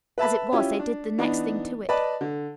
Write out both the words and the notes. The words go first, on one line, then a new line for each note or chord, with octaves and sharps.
As it was, they did the next thing to it.
B4 E5 A5 B5
C#4 E4 F4 G4
D4
E3 B3 D4 D#4
B4 D5 D#5 A5 B5
D3